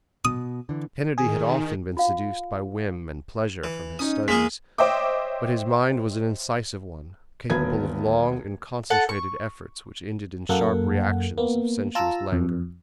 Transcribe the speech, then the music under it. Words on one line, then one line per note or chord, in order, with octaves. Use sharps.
Kennedy had often been seduced by whim and pleasure from his studies, but his mind was an incisive one, capable of long and concentrated efforts which ended in sharp reactions of sensuous languor.
B2 D#6
D3 E3
D#3 G#4
F4 F5
E3
C#4 D#4 D#6
G#3 A#3 G#4 B6
C5 C#5 D#5 E5 G5 D6
D#1 D2 B3 G#6
A4 F#5 A5
C#6
F#2 A#3 A4 F#5
A#3 B3
F4 A5 A#5 E6
F2